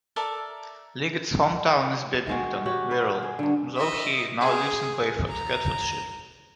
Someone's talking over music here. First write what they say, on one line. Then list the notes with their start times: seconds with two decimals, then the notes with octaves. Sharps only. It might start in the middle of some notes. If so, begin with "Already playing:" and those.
Liggett's home town is Bebington, Wirral, though he now lives in Bayford, Hertfordshire.
0.16 A4 A#4 D5 E5
2.27 D#3 G#3 F#4
2.65 F#4 G4 C#5 F#5
2.91 B4
3.23 G#4
3.39 G2 D3
3.76 D#5 E5
4.41 G#4
5.28 A#5